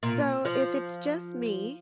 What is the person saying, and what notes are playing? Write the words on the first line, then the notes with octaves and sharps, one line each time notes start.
So if it's just me,
A#2
F3